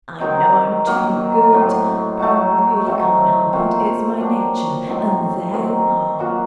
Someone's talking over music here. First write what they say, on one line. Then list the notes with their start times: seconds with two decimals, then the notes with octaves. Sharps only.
I know I'm too good, but I really can't help it, it's my nature--and there you are!
0.20 D#3 F#3 C4 D#4
0.86 D#3 F#3 A#3
1.52 A2 F#3 C4
2.19 F#3 A3 D#4 F#4
2.86 F#3 A3 C4 F#4
3.53 A#2 A3 C4 F#4
4.19 F#3 A#3 D4
4.87 A2 F#3 C4 D#4
5.52 D#3 F#3 C4
6.19 A#2 F#3 A#3 F#4